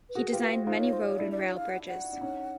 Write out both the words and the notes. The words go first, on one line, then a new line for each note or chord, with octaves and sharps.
He designed many road and rail bridges.
B4
F#4 G#4 A#4
B4
F4 G4
B4
C5
D#4 F4 C5
C#5
C5
C#5
D4 E4 D5
D5
C#5
F5
F#5
F#5
D4
C#4 D#4